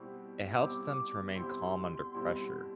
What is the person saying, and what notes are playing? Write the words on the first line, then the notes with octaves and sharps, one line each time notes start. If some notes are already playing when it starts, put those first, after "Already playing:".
it helps them to remain calm under pressure,
Already playing: B2 G3 C4 E4 G4
B2 G3 C4 E4 G4 D6
B2 G3 C4 E4 G4 C6
B2 G3 C4 E4 G4